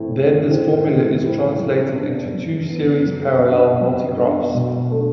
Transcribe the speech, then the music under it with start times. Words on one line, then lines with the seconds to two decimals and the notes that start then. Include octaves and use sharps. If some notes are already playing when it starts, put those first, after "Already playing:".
Then this formula is translated into two series-parallel multigraphs.
Already playing: A2 E3 A3 C4 E4
0.11 A2
0.48 E3 A3 C4 E4
0.84 A2
1.22 E3 A3 C4 E4
1.59 F#3
1.96 B3 D4
2.33 F#3
2.70 B3 D4
3.06 F#3
3.43 B3 D4
3.80 F#3
4.18 B3 D4
4.55 B2
4.91 A3 D4